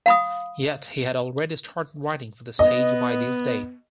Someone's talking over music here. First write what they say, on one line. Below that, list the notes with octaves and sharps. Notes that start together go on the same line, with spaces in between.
Yet he had already started writing for the stage by this date.
F5 B5 D#6
B3 D#5